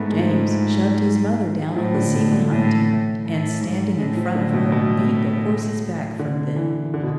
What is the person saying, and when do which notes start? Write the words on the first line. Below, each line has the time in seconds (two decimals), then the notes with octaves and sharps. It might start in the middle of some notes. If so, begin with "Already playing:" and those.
James shoved his mother down on the seat behind him, and standing in front of her, beat the horses back from them.
Already playing: G#2 A3 B3
0.10 G#3
0.19 F3
0.29 G#3
1.76 A2 F3
1.94 D3
2.13 B2
2.32 D3
2.50 A2 E3
3.24 A2
3.61 G#2
3.98 A2 G#3
4.17 F3
4.35 D3
4.54 B2
4.72 B2
6.19 D3
6.56 E3
6.94 D3
7.03 B2